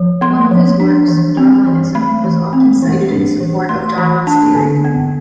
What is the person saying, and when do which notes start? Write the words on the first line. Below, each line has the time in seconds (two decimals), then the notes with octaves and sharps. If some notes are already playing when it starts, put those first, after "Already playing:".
One of his works, "Darwinism", was often cited in support of Darwin's theory.
Already playing: F3
0.21 B3 C6
0.51 F3
0.80 D4
1.08 E3
1.37 C4
1.67 E3
1.95 A3 B5
2.24 E3
2.53 C4
2.83 E3
3.11 D4
3.41 E3
3.69 A3 C6
3.98 E3 B5
4.27 D4 A5
4.55 D3
4.84 B3